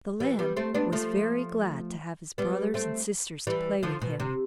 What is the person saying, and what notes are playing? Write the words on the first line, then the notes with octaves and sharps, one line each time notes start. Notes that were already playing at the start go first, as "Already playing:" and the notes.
The Lamb was very glad to have his brothers and sisters to play with him.
E3 G3
G3 B3
A3 C4
B3 D4
F3 A3
G3 B3
A3 C4
E3 G3
D3 F3
B2
C3